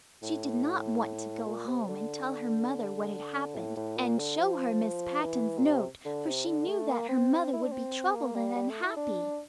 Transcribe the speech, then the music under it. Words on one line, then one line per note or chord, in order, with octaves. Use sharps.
She did not want to go home and tell her mother what had happened, and show her Miss Patten's note, for she knew that her mother would be troubled and unhappy.
A2
A#2
C3
D3
A2
A2
A#2
D3
F3
E3
A#2
C3
D3
C3
D3
A3
A#3
C4
E4
D4
C4
A#3
G3
G3
A3
E4
D4